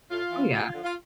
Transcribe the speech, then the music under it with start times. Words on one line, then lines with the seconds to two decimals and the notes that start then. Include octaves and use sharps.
Oh yeah.
0.11 A2 F4
0.31 E3
0.52 D2 F4
0.74 D3 F3
0.83 F4